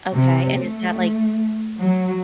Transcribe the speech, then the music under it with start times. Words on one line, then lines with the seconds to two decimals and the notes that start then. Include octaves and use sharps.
Okay, and is that, like,
0.14 C3
0.59 A3
1.78 F#3